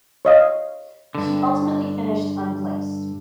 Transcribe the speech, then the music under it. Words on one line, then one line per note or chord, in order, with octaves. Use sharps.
She ultimately finished Unplaced.
C#5 D#5 F5
G2 D3